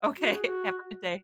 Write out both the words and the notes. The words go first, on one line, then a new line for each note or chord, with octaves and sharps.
Okay. Have a good day.
F#4
G#4
F#4